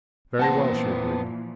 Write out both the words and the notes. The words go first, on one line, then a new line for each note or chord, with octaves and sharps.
"Very well," she agreed.
A#2 E3 F3 B3 C5 F#5 A5 A#6